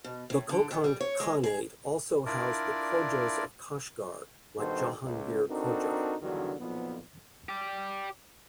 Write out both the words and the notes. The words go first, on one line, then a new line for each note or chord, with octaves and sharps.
The Kokand Khanate also housed the Khojas of Kashgar like Jahangir Khoja.
B2
A2
D3
D#3
G3
C#5
G#3
G#4
D4 E4 F4 A#4 D5
G2 B2 D#3 F#4 A4 C5
C#2
C4 D4 D#4 F#4 A4 A#4
E2 G2 D3 D#3 F#3
B1 F2 A#2 F3 B3
G4 D5